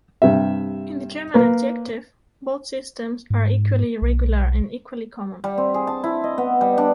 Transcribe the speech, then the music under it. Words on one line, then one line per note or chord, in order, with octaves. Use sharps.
In the German adjective, both systems are equally regular and equally common.
G2 C3 E5
A#3 B4
G#2
B1
G3
C4
G#4
A5
E4
D#5
B3
G3
D4